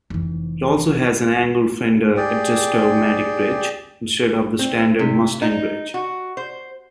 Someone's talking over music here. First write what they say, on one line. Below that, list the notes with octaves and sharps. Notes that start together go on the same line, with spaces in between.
It also has an angled Fender adjusto-matic bridge instead of the standard Mustang bridge.
F1 E3
G4 G#4 D5 G5
C4
C3
D#4
F#4
C5